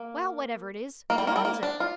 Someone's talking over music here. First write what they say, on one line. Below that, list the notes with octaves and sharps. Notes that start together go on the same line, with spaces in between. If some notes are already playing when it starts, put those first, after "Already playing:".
"Well, whatever it is, who owns it?"
Already playing: A#3
A#3
G3
A#3
G3
A#3
D4
F4